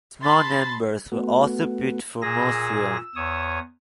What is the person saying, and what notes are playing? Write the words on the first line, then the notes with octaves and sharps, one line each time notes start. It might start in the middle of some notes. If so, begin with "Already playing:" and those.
Small numbers were also built for Mosfilm.
A5 B5 C6 A6
A3 B3 F#4
A#2 G#4 E6 A#6
E2 C#5 D#6